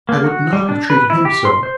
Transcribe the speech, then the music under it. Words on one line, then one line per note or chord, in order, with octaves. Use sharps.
I would not have treated him so.
A#3
F#4
G3
D4
B4
E4
G4
C6
C5